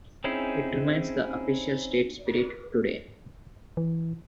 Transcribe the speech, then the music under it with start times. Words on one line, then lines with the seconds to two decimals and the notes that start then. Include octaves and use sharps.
It remains the "Official State Spirit" today.
0.24 C4 C#4 D#4 E4 G#4
3.77 E3